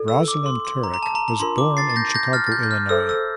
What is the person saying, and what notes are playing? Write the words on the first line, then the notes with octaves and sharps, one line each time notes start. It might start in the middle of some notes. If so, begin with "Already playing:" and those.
Rosalyn Tureck was born in Chicago, Illinois.
Already playing: E4 A4 D5
E6
D6
C6
C6
A#5
A#5
A5
A#5
A#5
D4 F4 A#4 C6
D6
A6 C7
A6
G6 A#6
G6 A#6
F6 A6
A6
G6
G6
F6
A4 C5 E5 G5 E6
E6